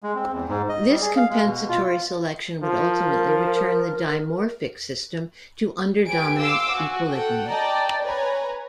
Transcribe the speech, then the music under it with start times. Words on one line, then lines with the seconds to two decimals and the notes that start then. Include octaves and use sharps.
This compensatory selection would ultimately return the dimorphic system to underdominant equilibrium.
0.03 G#3
0.15 C4
0.32 E2
0.48 G#2
0.69 D#5
0.90 G3
1.01 G#4
1.16 F5
1.30 G#3
1.44 B2
1.69 F4
2.63 F3 A#4
6.06 G4 B4 G#5 D7
6.40 F5 C6 D6 E6
6.71 F#4 G#5
7.09 A4 F#5 G5
7.47 D5 D#5 G5 A5 A#5
8.03 B4 C#5 G#5 A#5